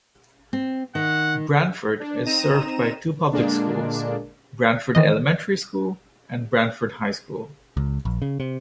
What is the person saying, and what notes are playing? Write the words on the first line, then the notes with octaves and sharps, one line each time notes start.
Branford is served by two Public Schools, Branford Elementary School and Branford High School.
C4
D#3 F#5
D4
C4 D#4 A#5 D#7 E7
A#2 D3 G#3 A#3 D4
D#3 E3 D#5
C#2
A#1
C#3
C3